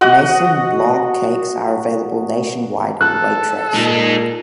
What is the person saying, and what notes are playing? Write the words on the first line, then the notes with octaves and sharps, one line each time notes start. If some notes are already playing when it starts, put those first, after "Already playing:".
Maison Blanc cakes are available nationwide in Waitrose.
F#4 D#5 F#5
A4 F#6
A#2 G#3 D#4